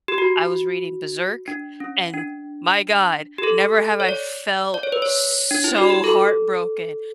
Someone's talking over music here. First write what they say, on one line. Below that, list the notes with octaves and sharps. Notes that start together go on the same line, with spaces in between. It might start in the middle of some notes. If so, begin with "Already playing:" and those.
I was reading Berserk, and my god! Never have I felt so heartbroken
G4
F#4
D4
C#4
D4
G4
A4
C#5
D5
D5
C#5
B4
C#5
D4
E4
F#4
G4
A4